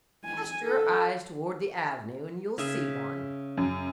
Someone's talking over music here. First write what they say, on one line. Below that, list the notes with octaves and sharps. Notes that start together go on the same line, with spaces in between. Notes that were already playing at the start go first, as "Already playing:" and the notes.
"Cast your eyes toward the Avenue and you'll see one."
G#5
A4
C#3 G#4 E5
F#2